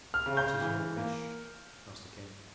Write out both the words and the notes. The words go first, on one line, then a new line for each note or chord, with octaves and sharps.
'What is your wish?' asked the King.
F6
C#3
G6
E3
A#3